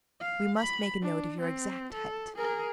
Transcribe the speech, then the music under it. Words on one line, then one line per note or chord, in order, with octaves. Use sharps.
"We must make a note of your exact height."
F5
B5
D4
C4
A4
G#4 A#4